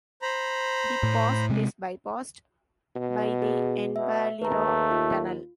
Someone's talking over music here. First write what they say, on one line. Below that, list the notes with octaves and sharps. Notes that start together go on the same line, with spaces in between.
The pass is bypassed by the Envalira Tunnel.
C5 A#5 B5
A2
C3 G#3
B2
G#4
B2 E5
D#2 A3 B4 A#5
F4